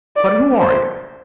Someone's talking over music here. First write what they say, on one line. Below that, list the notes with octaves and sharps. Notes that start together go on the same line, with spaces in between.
"But who are you?"
D5
C5